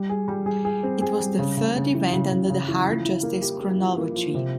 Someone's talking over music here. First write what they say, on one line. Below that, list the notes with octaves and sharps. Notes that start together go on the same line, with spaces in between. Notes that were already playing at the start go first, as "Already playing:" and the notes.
It was the third event under the Hard Justice chronology.
Already playing: G3
G#4
G3
G#4
G#4
C4
G#4
G3
C#3
C#3
C#3
E3
C#3
C#3
C#3
E3
F3
E4
A#3
G4
G4
F3
A#3
F3
C3